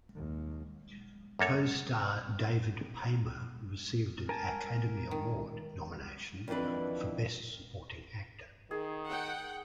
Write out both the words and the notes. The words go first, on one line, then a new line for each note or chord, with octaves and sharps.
Co-star David Paymer received an Academy Award nomination for Best Supporting Actor.
D#2
F#2 A#3 A4 C#5
A#4 G#5 A5
D#3
F2 D#3 E3 D4 B4
D#3 G#4
F#5 G5